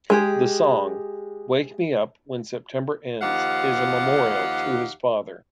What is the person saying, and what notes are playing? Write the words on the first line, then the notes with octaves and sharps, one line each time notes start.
The song "Wake Me Up When September Ends" is a memorial to his father.
G#3 G4 G#4
D#2 F3 D#4 G4 F5 F#5